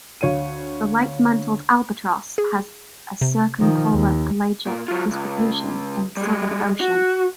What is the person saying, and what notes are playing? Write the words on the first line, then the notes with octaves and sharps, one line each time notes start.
The light-mantled albatross has a circumpolar pelagic distribution in the Southern Ocean.
D2 C#5 F5 D#7
G#4
C3
D#3 F3
D#2
A#2
F#3 F4
C#2
G3 G#3
F#4